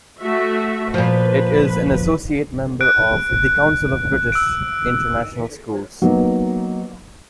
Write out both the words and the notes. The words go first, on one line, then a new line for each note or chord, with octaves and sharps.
It is an associate member of the Council of British International Schools.
A3 F#4 E5
A#2 F3 B4
F#6 D7
E6 D7
F#3 A#3 B3 D#4